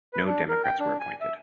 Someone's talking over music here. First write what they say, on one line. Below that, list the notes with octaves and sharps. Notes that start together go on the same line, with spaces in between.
No democrats were appointed.
B4
D4
A#4
G5
D4
G#5
E5